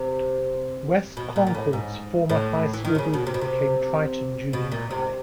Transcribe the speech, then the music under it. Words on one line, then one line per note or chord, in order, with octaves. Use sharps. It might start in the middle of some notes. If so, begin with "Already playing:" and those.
West Concord's former high school building became Triton Junior High.
Already playing: C3
B2
A#2
A#2
A2
G#2
A2
E3
D#3
C3
C#3
B2
C3
B2
C3
B2
A#2
C3